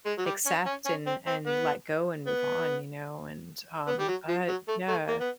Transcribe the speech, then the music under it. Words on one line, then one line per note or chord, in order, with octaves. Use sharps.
accept and and let go and move on, you know, and, um but yeah.
G#3
F#3
G3
C#4
C#4
C#4
C4
C4
B3
B3
B3
G3
F#3
F3
F#3
A3
A3
A#3
B3